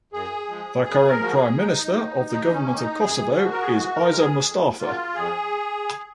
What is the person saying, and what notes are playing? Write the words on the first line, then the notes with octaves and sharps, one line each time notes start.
The current Prime Minister of the Government of Kosovo is Isa Mustafa.
F#2 G#4
F3 G#3
F#2 G#4
A#4
F3 G#3 F#4
G#4
D#2 D#4
D#3 A#3
D#2 D#4
C#4
D#3 A#3
D#4
F#2 G#4
F3 G#3 F#4
A#4
G#4
F#2 F#4
A#4
F3 G#3
G#4
F2
C#3 F#3 A#3 F4
F2 G#4